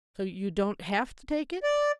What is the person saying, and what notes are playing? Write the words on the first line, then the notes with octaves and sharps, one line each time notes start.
So you don't have to take it.
D5